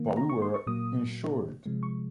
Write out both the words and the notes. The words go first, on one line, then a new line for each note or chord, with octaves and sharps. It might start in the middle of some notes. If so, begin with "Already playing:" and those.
But we were insured.
Already playing: D#3 A#3
A#5
C#6
C6
C#6
A#2 F#3 A#3 D#6
C3 F3 G#3
C#6